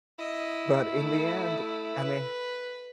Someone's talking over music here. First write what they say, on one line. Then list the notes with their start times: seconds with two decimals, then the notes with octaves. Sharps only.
But in the end, I mean
0.19 E4 D#5
0.94 A3
1.96 B4